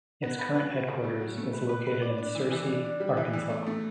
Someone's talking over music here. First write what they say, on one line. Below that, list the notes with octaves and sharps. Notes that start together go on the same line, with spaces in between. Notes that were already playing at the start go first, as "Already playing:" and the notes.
Its current headquarters is located in Searcy, Arkansas.
B3
B4
B4
F#4
C#3
A3
F#3
A3
B4
B4
B4
D5
D4
E3
E3
D4
D4
G3
E3
E3
A3
A3